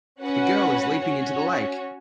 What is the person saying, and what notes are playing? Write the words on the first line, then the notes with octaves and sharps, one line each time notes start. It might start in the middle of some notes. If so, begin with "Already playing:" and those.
The girl is leaping into the lake.
C#4 F#4 B4 F#5
C#4 F#4 C#5